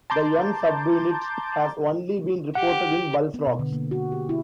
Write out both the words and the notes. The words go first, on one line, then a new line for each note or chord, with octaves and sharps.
The M subunit has only been reported in bullfrogs.
A5 A#5 C6 D6 G6 A6
G4 F#5
B3
B2
D3
A#3
F#4
G4
E4